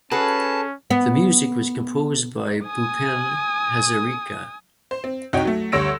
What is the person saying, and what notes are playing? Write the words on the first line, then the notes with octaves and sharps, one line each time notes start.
The music was composed by Bhupen Hazarika.
C#4 F#4 G#4 A4 B4 A5
B3
G#5 D#6
C5
C4
C2 D#4 F#4 C#5 G5
F#3 A3
D2 G3 C#5 E6 A#6 D7